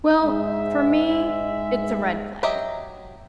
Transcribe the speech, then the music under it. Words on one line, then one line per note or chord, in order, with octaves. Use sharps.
Well, for me, it's a red flag.
G#2 G#3 E5
F#3 G4 D#5 E5 A#5